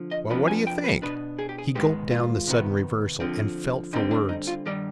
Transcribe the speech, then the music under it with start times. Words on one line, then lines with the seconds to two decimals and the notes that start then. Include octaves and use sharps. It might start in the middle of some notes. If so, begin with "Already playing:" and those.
Well what do you think--' He gulped down the sudden reversal and felt for words.
Already playing: D3 F3
0.11 D#5
0.30 F2 C3 F3 B3 D4 B5
0.48 G#5
0.67 G5
0.84 B4
1.02 B2 B3 D4 B4
1.39 G#4
1.49 G4
1.58 G#4
1.75 G#2 D#3 G#3 B3 G4
2.11 F4
2.47 C3 D#3 B3
3.20 D3 F3 C4
3.93 D3 G3 C4 D#4
4.11 D4
4.29 D#4
4.47 F4
4.65 G2 D#3 G3 D5